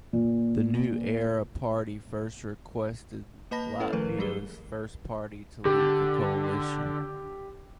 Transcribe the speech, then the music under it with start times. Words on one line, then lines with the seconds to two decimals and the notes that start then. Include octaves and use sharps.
The New Era Party first requested Latvia's First Party to leave the coalition.
0.13 A#2
3.51 A#3 B4 D#5 A5 B5 A#6
3.80 C#4 E4 A4 B4 C#5
3.93 D#3 F3 A3 A#4 B4
4.18 F#3 G3 G4 G#4 G7
5.65 D3 G4